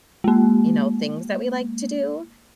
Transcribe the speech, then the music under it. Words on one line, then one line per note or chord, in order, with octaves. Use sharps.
you know, things that we like to do,
G#3 A#3